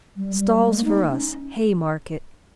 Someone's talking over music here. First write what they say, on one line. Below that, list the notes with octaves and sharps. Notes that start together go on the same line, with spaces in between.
Stalls for us, Haymarket.
G3
G3
A#3
G#3
A#3
D#4
C#4